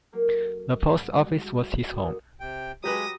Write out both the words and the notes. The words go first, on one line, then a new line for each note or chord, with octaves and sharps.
The post office was his home.
F#3 A3 A#3 C#4 A#4
G#2 B3
G3 F#4 G#4 F#5
C#4 E4 F#4
G#1 D2 D4 C#5 D#6
C3 G5
F#3 G#3 G4 B4 D#6 A#6